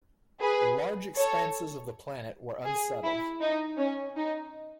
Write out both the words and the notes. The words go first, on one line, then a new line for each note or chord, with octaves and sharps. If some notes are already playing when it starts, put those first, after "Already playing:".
Large expanses of the planet were unsettled.
G#4 B4
A4 C#5
G#4
E4
D#4
C#4
D#4